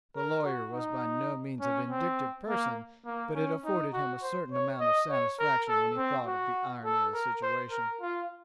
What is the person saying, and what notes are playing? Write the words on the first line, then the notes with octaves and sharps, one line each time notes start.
The lawyer was by no means a vindictive person, but it afforded him a certain amount of satisfaction when he thought of the irony of the situation.
A#4
F#4
D#4
C#4
C4
A#3
A#3
C#4
D#4
F#4
C5
C#5
D#5
C#5
A#4
A4
C4
F#4
A4
A#4
C5
A#4
F4